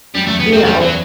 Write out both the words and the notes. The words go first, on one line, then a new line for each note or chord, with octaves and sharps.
you know,
F#2 G3
E2 A3
E2 B3
F#2 C4
E2 G3
F#3